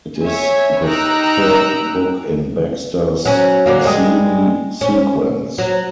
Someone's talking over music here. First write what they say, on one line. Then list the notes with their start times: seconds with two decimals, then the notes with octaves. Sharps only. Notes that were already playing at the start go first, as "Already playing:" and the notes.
It is the third book in Baxter's Xeelee Sequence.
0.21 C#5 E5 G#5
0.84 D#4 G4 A#5 E6 F#6 D7
3.25 F#3 C#4
3.66 D3 F#3 A#3
3.84 G3 G#3 G#4
4.81 C#4
5.58 F#3